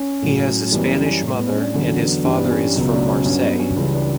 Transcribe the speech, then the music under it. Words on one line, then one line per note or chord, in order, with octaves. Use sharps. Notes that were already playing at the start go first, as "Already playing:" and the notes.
He has a Spanish mother, and his father is from Marseille.
Already playing: C#4
A2 F#3
F#2 E3 G3 B3
C#4
C#4
A2 G3
B3
C#4
D4
E2 D3 F#3 C#4
B3
G2 E3 G3 C#4
B3
C#4
C#2 B2 F#3
D4
C#4
G2 F#3 C#4
B3
C#4
C#2 C#3 E3 G3 C#4
D4